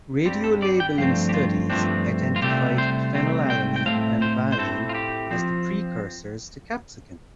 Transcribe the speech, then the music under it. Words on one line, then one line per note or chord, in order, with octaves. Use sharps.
Radiolabeling studies identified phenylalanine and valine as the precursors to capsaicin.
G2 G3 C4 G4
A4
D5
G5
G2 F3 A3 C4 F5
G4
F4
G2 F3 A3 C4 D4
F4
C2 C3 A3 C4 G4
C5
C2 C3 A3 C4
G5
G5
A2 A3 C4 F5
C5
C5
A2 A3 C4 A4
F4
G4
F3 C4